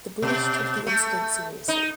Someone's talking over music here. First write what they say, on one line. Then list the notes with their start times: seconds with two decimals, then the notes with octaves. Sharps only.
The British took the incident seriously.
0.22 B2
0.87 A3
1.68 D#4